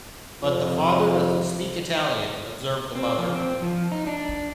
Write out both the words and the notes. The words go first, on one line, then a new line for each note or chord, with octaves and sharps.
But the father doesn't speak Italian, observed the mother.
F2 C3
C4
F3
C4
F3
D#4
D4